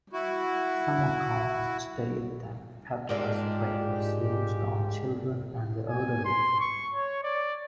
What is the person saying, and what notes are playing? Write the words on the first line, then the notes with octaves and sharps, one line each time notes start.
Some accounts state that pepper spray was used on children and the elderly.
E4 F#4
G#2 G#3 A#3 D4 F4 G4
G#5
C6
C#6
C#5
D5